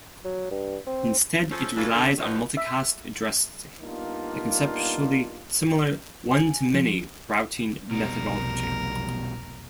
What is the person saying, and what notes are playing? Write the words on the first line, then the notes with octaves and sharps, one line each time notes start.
Instead it relies on multicast addressing - a conceptually similar "one-to-many" routing methodology.
F#3
G2
C4
F3 C#4 A4
E3 F#3 D4 F4 A4
D3
G2 D3 D#3 F3 C#4 D#4
E5
G3 A#3 B3 D4 D#4 F4
G#5
F3
F1 B1 E2 B2 G3 A#4